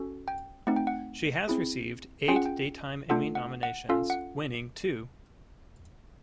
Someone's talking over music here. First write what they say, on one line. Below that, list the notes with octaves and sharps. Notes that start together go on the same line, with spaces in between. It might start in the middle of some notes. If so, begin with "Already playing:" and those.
She has received eight Daytime Emmy nominations, winning two.
Already playing: C#4 F#4 A4
G5
A3 C4 D#4 F#5
G5
F#5
C4 E4 G#4
C#4 F4 G#4 G5
F#5
G5
A3 D4 F4 A4 F#5
F#5
F#5
C#4 F4 A4 F5
F#5